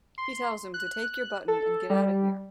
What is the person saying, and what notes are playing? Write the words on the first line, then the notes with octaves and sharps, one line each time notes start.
He tells him to "take your button and get outta here".
C6
F#6
A4
G3